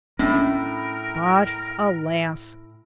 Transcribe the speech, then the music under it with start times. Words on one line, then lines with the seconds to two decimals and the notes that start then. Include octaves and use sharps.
But alas!
0.19 A2 C#4 D4 A#4